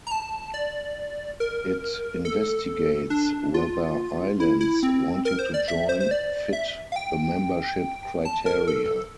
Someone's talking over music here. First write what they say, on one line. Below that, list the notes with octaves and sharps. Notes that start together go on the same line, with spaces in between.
It investigates whether islands wanting to join fit the membership criteria.
A#5
A5
D5
A#4
A4
D4
F4
E4
E4
C4
A#4
C5
D5
E5
C5
C5
D5
E5
F5
G5
A5
A#4
A4